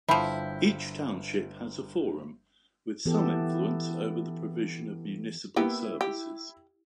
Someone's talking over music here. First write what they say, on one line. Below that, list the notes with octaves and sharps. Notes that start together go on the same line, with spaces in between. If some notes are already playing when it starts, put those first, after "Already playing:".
Each township has a forum, with some influence over the provision of municipal services.
G1 F3 E4 G5 B5 G6
E3 B3 G4 A4
A#3 B3 E4 G4
G4